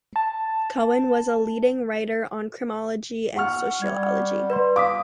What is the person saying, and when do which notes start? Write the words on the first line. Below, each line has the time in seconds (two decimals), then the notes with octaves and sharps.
Cohen was a leading writer on Criminology and Sociology.
0.16 A5
3.36 F#5 C#6 F6
3.82 G3 G#6
4.50 B4 D5 C6
4.76 F5 D6 D#6 B6